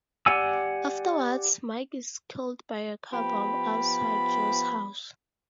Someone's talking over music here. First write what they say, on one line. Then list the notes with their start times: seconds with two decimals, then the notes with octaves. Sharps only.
Afterwards, Mike is killed by a car bomb outside Joe's house.
0.26 G4 D5 F#5 G#5 E6
3.13 F3 B3 G4 B5